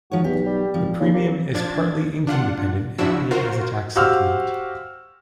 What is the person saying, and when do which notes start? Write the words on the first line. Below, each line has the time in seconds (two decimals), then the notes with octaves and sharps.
The premium is partly income-dependent and paid as a tax supplement.
0.12 G#2 F3 F#4 C#5
0.24 B1 E2 G4
0.46 G3
0.74 G#1 F3
1.00 D#2 C#3
1.14 C3 A#3
1.54 F3 D4 G#6 A6
2.27 D4 F4 F#5
2.98 C#3 F3 D4 E4 F#4 E6
3.31 F4 F#4 A#4 C5
3.96 F#4 G4 C5 F5 E6 F6